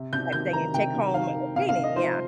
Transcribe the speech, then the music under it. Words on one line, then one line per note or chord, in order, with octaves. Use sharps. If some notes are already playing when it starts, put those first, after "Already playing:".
type thing, and take home a painting, yeah.
Already playing: C3
C3 G6
D#3 G6
D#3 A#5
C3 G5
C3
D#3 F5
D#3
C3 F5
F5
C3
D#5
F3 C5